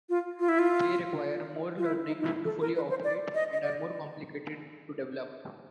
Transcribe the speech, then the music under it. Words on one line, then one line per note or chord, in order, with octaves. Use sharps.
They require more learning to fully operate and are more complicated to develop.
F4
F4
E4
F4
F4
E4
D#4
D#4
E4
A4
A#4
B4
C5
D5
D#5
D#5
D5